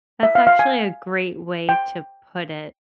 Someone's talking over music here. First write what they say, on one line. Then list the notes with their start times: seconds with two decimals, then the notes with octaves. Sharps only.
That's actually a great way to put it.
0.23 E5
0.35 F5
0.47 F5
0.59 G#5
1.69 G5